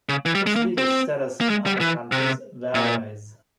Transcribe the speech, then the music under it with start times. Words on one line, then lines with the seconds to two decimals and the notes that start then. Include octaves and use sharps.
Its legal status in other countries varies.
0.09 C#3
0.25 E3
0.35 G3
0.47 G#3
0.56 A#3
0.78 C4
1.41 A#3
1.50 G#3
1.66 G3
1.81 E3
2.12 C3
2.75 A#2